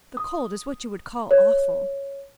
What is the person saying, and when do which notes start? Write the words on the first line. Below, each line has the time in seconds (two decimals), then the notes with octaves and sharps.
"The cold is what you would call awful."
0.17 D#6
1.31 C#5